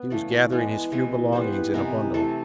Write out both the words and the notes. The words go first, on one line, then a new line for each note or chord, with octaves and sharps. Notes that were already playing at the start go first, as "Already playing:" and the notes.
He was gathering his few belongings in a bundle.
Already playing: B3
C#3 E3 A3 D5
D5
E3 G#3 B3
C3 E3 G#3 B3
E3 G3 B3 C5
B4
C3 E3 G#3 B3 A#4
C3 E3 A3 A4